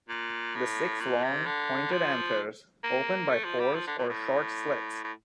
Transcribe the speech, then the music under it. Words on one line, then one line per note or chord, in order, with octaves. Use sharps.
The six long, pointed anthers open by pores or short slits.
A#2
A2
A#2
C3
D3
F3
A#3
A3
F3
G3
F3
D3
A#2
A2
A2